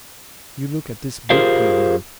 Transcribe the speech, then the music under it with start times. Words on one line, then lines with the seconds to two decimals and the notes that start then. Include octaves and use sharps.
You look at this boot heel, now.
1.30 F4 G4 G#4 A#4 C5 F5